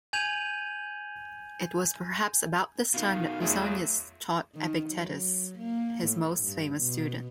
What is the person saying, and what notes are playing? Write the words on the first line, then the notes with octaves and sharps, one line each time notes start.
It was perhaps about this time that Musonius taught Epictetus, his most famous student.
G#5 G6 G#6 D#7 F7 F#7
B2 D#3 F5
E2 F#3 A3 F4 G#4
D#3
F#3
A#3
A2
G2
B2